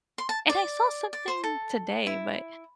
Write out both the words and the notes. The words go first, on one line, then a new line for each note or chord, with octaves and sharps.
and I saw something today, but
C6
A5
D5
D5
C5
A4
E4